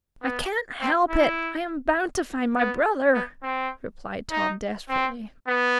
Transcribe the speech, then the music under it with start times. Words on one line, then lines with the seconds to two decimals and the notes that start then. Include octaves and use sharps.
"I can't help it--I am bound to find my brother," replied Tom desperately.
0.22 B3
0.80 C4
1.09 E4
2.56 B3
3.14 B3
3.43 C4
4.31 D#4
4.89 C4
5.48 B3